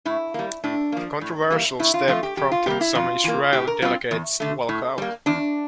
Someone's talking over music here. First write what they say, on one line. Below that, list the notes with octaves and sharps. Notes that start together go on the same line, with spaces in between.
The controversial step prompted some Israeli delegates to walk out.
A2 E4
G3 A#3
A2 D4
F3 A#3
A2
E3 G3 A#3
A2 E4
F4
F3 A3 C4 F4
G4
F2 G4
F4
C3 G3 A#3 G4
E4
F2 F4
E3 A#3
A2 G4
A#4
G3 C4 F4
E2
D3 A3
A2
G3 A#3
E2 D4